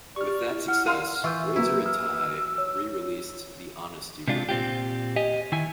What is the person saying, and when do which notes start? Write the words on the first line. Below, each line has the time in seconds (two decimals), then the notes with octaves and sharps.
With that success, Razor and Tie re-released "The Honesty Room".
0.16 G4 D5 C#6 F6
0.49 E4
0.68 F#5 F6
0.86 A#4 F5 C6 E6 F6 D#7
1.24 E3 F4 E5 C#6 E6 G6
1.56 F#3 A#3 E4 B4 E6
1.84 D#6 F6
2.58 C#5
4.28 C3 G#3 D4 F4
4.49 A#2 C4 F4 G4
5.16 G4 D#5 G#5
5.52 D#3 E4 G#5